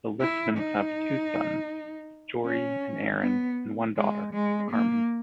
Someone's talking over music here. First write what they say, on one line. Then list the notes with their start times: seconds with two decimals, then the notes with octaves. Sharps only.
The Lishmans have two sons, Geordie and Aaron, and one daughter, Carmen.
0.20 E4
0.57 D#4
2.46 C#4
3.21 B3
3.96 G#3
4.33 G#3
4.71 A#3